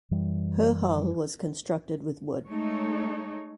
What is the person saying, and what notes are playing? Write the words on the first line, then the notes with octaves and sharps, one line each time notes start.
Her hull was constructed with wood.
F#2 E3 G3
G#3 A3 D#4 C#5